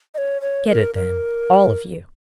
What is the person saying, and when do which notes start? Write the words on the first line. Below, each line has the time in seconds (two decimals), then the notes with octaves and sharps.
'Get it, then--all of you.
0.14 D#5
0.18 C#5
0.41 C#5
0.68 A#4
0.95 A#4